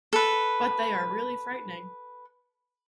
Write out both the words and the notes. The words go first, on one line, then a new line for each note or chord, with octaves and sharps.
But they are really frightening.
A4 B4